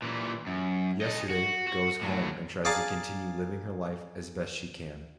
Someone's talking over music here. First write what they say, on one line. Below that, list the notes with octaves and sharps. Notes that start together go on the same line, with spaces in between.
Yesterday goes home and tries to continue living her life as best she can.
A#2 E3
F#2
A4 D#5
F#4
F#4
A2 F#3
G#4 D5 F5 A5 A#5